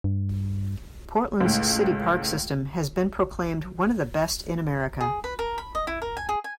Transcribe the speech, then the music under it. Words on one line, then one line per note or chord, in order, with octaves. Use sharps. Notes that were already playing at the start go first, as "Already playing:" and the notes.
Portland's city park system has been proclaimed one of the best in America.
G2
C#2 A2
G#4
B4
A#4
B5
D#5
E4
A#4
G#5
G#4
G#5